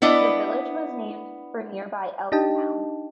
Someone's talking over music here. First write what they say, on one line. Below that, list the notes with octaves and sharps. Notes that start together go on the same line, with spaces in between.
The village was named for nearby Elk Mound.
B3 D4 E4 D#5
D4 D#4 G4 D#5 G5 A5